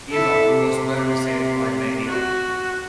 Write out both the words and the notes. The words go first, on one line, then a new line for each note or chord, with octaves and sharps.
Eva was well received by media.
E4 A4
C3
F#4